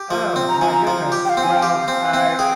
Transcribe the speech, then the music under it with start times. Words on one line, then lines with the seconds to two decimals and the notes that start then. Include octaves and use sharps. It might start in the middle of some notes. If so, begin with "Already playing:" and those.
Oh, my goodness, well, I
Already playing: G4
0.11 F3
0.36 C4
0.49 A#5
0.60 F3 G#5
0.71 A#5
0.87 F3
1.12 G4
1.25 G5
1.30 F5
1.37 C4
1.43 G#5
1.53 G5
1.62 G4 F5
1.88 C4
2.14 C4
2.38 G#4 G5